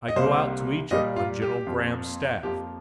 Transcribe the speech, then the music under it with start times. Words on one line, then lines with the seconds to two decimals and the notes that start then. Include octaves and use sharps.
I go out to Egypt on General Graham's staff.
0.08 D#5
0.16 C2 C3 G3 A#3 C5
0.91 A#2 G3 A#3 D#5
1.16 F4
1.42 G4
1.67 F2 F3 A#3
2.43 F2 F3 A#3 G4